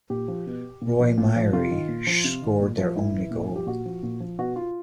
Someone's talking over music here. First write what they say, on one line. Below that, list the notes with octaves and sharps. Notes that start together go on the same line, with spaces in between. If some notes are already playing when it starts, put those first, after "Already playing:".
Roy Myrie scored their only goal.
A#2 G4
F3
B2
A#2
F3
A#2
F3
C3 F4
D#3
A#2
F3
C3
D#3
A#2
F3
A2 E4
E3
A#2
F3
G4
A#2 F#4
F3
A#2
F3
B2 F#4
F4